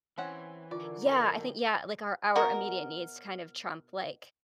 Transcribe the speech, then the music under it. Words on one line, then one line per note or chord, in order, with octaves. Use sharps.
Yeah, I think, yeah, like, our our immediate needs kind of trump, like
E3 C4 C#4 E5 F#5 G#5
D3 F4 A#4 D5 C#6
F2 C5 D#5 G5 A5 B5
B2 F#4 A#4